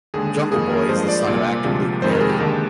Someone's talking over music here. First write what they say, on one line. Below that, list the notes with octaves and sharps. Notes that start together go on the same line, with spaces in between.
Jungle Boy is the son of actor Luke Perry.
D#2 D3 G#3 G#4
F2 D#3 A#3 G#4
A#4
G2 F3 G#3 C5
D5
C2 A#2 G3 A#3
D2 C3 F3 G#3
F2 C3 D#3 G#3 C5
A#4
G#4
G4
D#2 D3 G#3